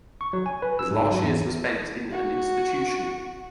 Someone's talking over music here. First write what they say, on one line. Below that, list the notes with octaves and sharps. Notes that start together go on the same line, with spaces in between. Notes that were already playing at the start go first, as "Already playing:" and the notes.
His last years were spent in an institution.
C#6
F#3
G#5
B4
E6
G#2
F#3
E2
F#4